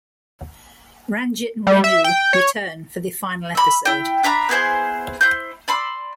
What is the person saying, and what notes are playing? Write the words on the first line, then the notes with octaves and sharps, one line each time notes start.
Ranjit and Renu return for the final episode.
G3
E5
G5
C#5
E5 B5
E4 G5
D4 E5 A#5 B5
B3 E4 G#4 C5
E4 C5 G6
D5 B5 C6 E6